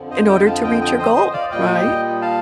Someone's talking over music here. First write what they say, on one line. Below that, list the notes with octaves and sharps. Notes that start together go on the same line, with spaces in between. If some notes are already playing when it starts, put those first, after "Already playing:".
In order to reach your goal, right?
Already playing: F2 D3 F3
C5 D#5
D#5 G5
F5 A5
D#5 G5
D#5 G5
C5 D#5
C5 D#5
D5 F5
A#2 G3 D#5 G5
F5 A5